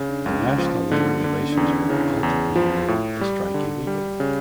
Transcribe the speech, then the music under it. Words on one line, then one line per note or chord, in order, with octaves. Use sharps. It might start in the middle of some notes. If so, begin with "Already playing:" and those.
The National Labor Relations Board ultimately ruled the strike illegal.
Already playing: C#3
D4
C#2 C#4
C#4
F3 A#3
C#4
D3 A#3
A#3
D3 A#3
C#4
D4
E2 C#4
D4
C#3 E4
E2
F3 F4
A2
G3
D3
G3
C#3